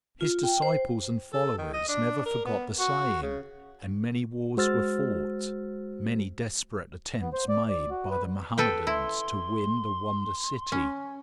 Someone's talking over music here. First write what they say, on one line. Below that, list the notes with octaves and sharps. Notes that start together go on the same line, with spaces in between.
His disciples and followers never forgot the saying, and many wars were fought, many desperate attempts made by the Mohammedans to win the wonder city.
F4
G5
C5
A4
D#3
D#5
D4
A#4
B3
F#4
C#3
G#3 F#4 C5 E6 F6 A6
B3
C5
D5
D5
F#4
B4
A4 B4 G5
E4 C6
C#4